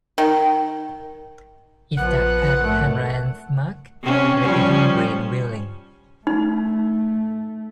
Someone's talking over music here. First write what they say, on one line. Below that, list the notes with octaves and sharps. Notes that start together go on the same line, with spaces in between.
Is that Pat Hanrahan's mug looking hungry and willing.
D#3
A#1 F3 B3 F#5 F#6
G#1 A3
C3 C#4
F3 G3 C#4
A3 D#4